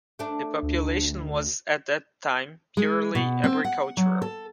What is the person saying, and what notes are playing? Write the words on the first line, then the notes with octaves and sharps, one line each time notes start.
The population was at that time purely agricultural.
A3 D4
D2
G#3
B2
C4
F#5
F#3
A4